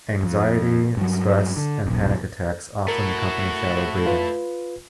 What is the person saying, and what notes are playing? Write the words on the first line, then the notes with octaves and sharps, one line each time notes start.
Anxiety, stress, and panic attacks often accompany shallow breathing.
F2
G2 F#3
D3
D#1 B1
A3 E4 F#4 A#4
F4 B4